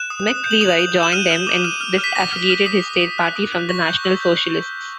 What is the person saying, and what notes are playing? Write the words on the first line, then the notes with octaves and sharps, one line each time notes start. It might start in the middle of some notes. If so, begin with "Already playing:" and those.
McLevy joined them and disaffiliated his state party from the national Socialists.
Already playing: F#6 E7
D#6
D#6
G6
F#7
D#6 F7
D#6
G6
E7
F6 D#7
F6
D6
F6 D#7
F6
F6
B6
D6 A#6
F6
F6
D#6 B6
D#6
D#6
F#6
D#6
F#6
C#6 A#6
G6
E6
G6